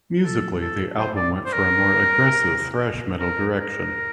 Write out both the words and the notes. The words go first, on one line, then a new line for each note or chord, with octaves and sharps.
Musically, the album went for a more aggressive thrash metal direction.
A4
A4
C5
D5
C5
A#4
A#4
A#4